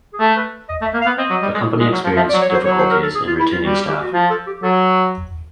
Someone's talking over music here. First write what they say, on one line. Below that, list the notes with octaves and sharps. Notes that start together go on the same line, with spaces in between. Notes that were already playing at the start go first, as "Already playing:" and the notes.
The company experienced difficulties in retaining staff.
G#4
A3 A4
B4
D#5
A3
E5
A#3
F5
B3
C4 D#5
F#3
G3
G#3
G#3
F#3
F3
F3 E5
D5
F#3
C#5
F#3
C5
F#3 C#5
C5
A#4
A4
G#4
F4
E4
F4
G3 F#4
G4
G4
F#4
F3 F4
A4
G4
F#3 A4